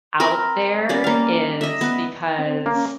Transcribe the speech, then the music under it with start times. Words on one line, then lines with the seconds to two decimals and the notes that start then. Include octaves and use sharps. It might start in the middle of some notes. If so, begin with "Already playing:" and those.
out there is because
0.20 C4 A#4 B5
0.89 G3 B3 C#4 D5
1.04 A#3 F5
1.61 D#5 E5
1.81 B3 B4
2.39 C4
2.66 A#3 C#4